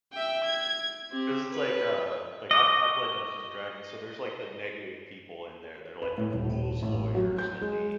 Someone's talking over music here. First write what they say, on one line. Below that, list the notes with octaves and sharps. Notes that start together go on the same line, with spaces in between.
'Cause it's like, uh, like I I play Dungeons and Dragons, so there's like the negative people in there, they're like the rules lawyers and the,
E5 G5
G#6
C4 G4
B4
D#5 C#6 D6 A#6
B4
A2
D#1
A1
F#3
G6
G#3